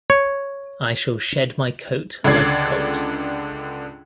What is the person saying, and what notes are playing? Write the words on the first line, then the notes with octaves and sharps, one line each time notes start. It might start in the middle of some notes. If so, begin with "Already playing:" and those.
I shall shed my coat like a colt.
C#5
C#2 D3 D5 G#6 C7